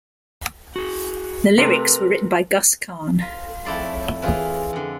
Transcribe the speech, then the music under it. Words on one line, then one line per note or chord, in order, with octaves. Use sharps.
The lyrics were written by Gus Kahn.
F#4 G#4
C3 A3 A#4 B4
F4
F2 A3 E4 D5 C6
E3 F4 G#4
F2 D3